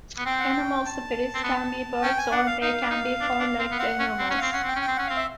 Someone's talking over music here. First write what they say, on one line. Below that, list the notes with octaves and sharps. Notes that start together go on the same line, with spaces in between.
Animal spirits can be birds or they can be four-legged animals.
B3
C4 G5
F#5
G5
A5
C4
B3
C#4 G5
G#5
D4 F#5
F5
D#4 F5
D4
D#4
D4
D4
C4
B3
C4 F#5
C#4
C4
C#4
C4 F5
C#4 F#5
C4 G5
C#4
G5
C4
C#4 F#5
C4 F5
E5